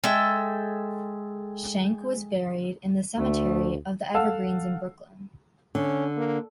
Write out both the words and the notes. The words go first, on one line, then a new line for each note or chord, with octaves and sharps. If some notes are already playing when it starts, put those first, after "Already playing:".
Schenck was buried in The Cemetery of the Evergreens in Brooklyn.
G#3 A4 E5 G5
D2 A3
A4 F5 F#5 A5 E6
D3 C#4
A#3